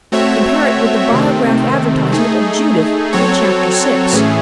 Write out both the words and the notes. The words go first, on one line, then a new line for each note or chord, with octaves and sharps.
Compare it with the Biograph advertisement of Judith in chapter six.
A3 C4 F#4 C#5 E5
C3 D#3 A3 C4
A3 D#4 G#4
F#3 C4 F#4 A4 C#5
A2 E3 A3 C#4 G#4